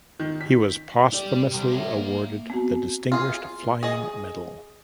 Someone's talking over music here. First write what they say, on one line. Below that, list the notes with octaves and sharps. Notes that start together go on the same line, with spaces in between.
He was posthumously awarded the Distinguished Flying Medal.
D#3
B6
G4 D5
C3 G3
C#5 E5
A#3
B3 C4 F#4
F4 G#4
G#4 D#5